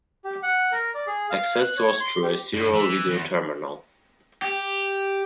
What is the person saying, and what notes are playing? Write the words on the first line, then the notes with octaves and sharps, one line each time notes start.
Access was through a serial video terminal.
G4
F#5
A#4
D5
G#4
F5
F#6
C#5
C6
G4
G2
E3
E2
G4